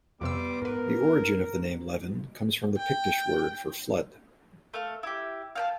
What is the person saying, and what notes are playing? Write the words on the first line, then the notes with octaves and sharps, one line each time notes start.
The origin of the name "Leven" comes from the Pictish word for "flood".
F2 C3 G3 B3 C6 D6 E6
G#2 A#4 B4
G5
A3 F5
E4 G4
F5 G5 A5